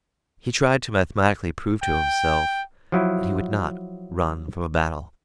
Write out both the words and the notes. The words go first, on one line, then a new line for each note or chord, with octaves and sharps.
He tried to mathematically prove to himself that he would not run from a battle.
G5
F3 F#3 E4